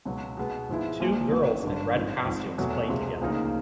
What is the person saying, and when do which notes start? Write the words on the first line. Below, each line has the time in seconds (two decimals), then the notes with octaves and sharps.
Two girls in red costumes play together.
0.05 C#2 B2 F#3
0.37 B2 G#3 B3
0.69 G#2 F3 G#3 B3 E4
1.00 A#1 A#2 F3
1.31 A1 A2 F#3
1.63 G2 D3 F#3
1.94 G#1 G#2 F3
2.26 G#1 G#2 F3
2.58 E2 B2 F#3 A3
2.89 C#2 C3 F3 G#3
3.21 D2 C#3 F3 A#3 D#4